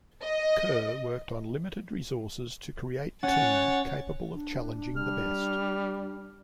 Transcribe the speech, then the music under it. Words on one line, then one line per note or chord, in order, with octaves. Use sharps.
Kerr worked on limited resources to create team capable of challenging the best.
D#5
C#4 C#5 F#5 A6
D4
G3 F6